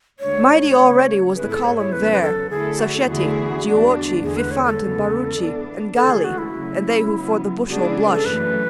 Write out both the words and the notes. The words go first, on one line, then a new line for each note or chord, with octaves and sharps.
Mighty already was the Column Vair, Sacchetti, Giuochi, Fifant, and Barucci, And Galli, and they who for the bushel blush.
D2 D3 G#3 D4 C#5
C#3 F#3 A3
G#2 G#3 B3 E4 G#4 B4
A4
C#5
C#5
E2 C#3 F#3 B4
B4
A4
D3 A3 E4 G#4 A4
F#4
E2 D3 A3 E4 F#4 G#4
E2 D3 G#3 D4
E2 D3 A3 G#4
B4
C#5
A4
E2 C#3 G#3 B3
E3 B3 D4
D2 C#3 E3 G#3 A4
G#4
F#4
E4
C#3 F#3 A3 C#4
C#3 F#3 B3
C#3 G#3 B3 D4 F#4 G#4
E4
B4
A4
F#2 E3 A3 B4